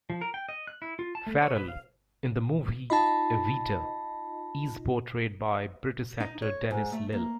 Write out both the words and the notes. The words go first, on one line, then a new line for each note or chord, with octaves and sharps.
Farrell, in the movie "Evita", is portrayed by British actor Denis Lill.
F3
A#4
G5
D#5
F#6
E4
F4
A5
A3
C#5
B4
F5
D#4 F4 D#5 A5 B5
D#4
C#5
G#2
A3
A#3